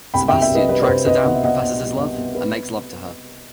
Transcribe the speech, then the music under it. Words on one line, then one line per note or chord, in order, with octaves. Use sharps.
Sebastian tracks her down, professes his love, and makes love to her.
C2 G5 B5
E5 G5
C2
E5 G5
C2 B4 D#5
G3 B4
C5
C2 B4
C2 B4 D#5
B2 F#5
E5
B2 D#5 F#5
B2
G3
B2
B2
B4